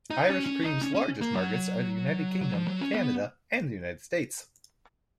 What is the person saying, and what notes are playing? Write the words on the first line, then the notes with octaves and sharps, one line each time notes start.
Irish cream's largest markets are the United Kingdom, Canada, and the United States.
D#4
C#4
C#4
D#4
C#4
C#4
A#3
F#3
F#3
F3
F#3
C#4
B3